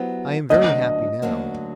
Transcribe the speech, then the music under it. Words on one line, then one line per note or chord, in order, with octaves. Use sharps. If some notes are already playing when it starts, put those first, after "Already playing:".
I am very happy now.
Already playing: F#3 B3 E4 G4 C5
D2 D3 F#3 A#3 D#5
D2 D3 F#3 A#3